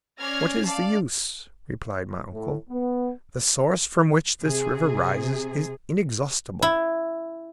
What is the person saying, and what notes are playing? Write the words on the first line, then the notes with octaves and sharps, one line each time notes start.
"What is the use," replied my uncle, "the source from which this river rises is inexhaustible."
C#4 D5 F6 G#6 A#6 C7
D5 F5 A5
A2
B3
C3 G#4
E4